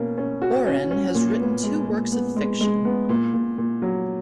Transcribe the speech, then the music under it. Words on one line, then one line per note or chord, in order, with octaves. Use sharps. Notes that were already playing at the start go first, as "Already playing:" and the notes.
Oren has written two works of fiction.
Already playing: B2 A#3 C#4
C#4
F#4
C#4
C#4
A#2
B3
G#3
A#2
B3
G#3
G#3
B3
A#2
A#2
A#2
F#3